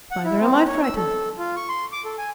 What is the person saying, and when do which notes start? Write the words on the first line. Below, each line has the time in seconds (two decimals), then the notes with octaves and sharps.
"Neither am I frightened."
0.11 F#5
0.25 E4
0.40 C4
0.68 C#5
0.83 E6
0.96 A4
1.38 F4
1.56 C#6
1.69 C6
1.92 D6
2.05 A4
2.18 G#5